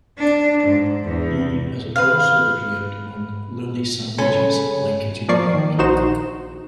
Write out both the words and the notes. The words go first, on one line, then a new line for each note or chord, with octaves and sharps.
He has also appeared on Lily Savage's Blankety Blank.
D4
G#2
E2
B4 F5
C#3 A4 G#5 B5
F3 A#3 D5 C#6 C7
D#3
A#1 D#4 F#4 C5 E7